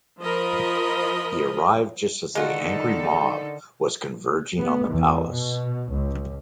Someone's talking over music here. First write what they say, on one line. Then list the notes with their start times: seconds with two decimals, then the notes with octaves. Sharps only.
He arrived just as the angry mob was converging on the palace.
0.21 F3 A#4 D#5 B5
2.35 D3 D#3 G#3 D#4 F4 F#4 A4
4.58 B3
4.89 E2
5.29 B2
5.92 C#2